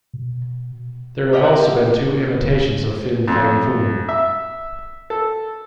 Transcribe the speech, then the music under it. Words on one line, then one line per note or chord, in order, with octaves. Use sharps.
There have also been two imitations of Fin Fang Foom.
B2
G4 A#4 D#5 E5 F#5
F2
E5
A4